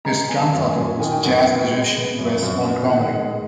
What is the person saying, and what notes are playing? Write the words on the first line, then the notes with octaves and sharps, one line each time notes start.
His grandfather was jazz musician Wes Montgomery.
G#3 A#5
B3 G#5
A5
F#2
G#5
F#2
D#3 G#5
G5
F#2 F#5
G5
B3
G#3
B3
F#2
F#2
B3
D#3 F#5
G#3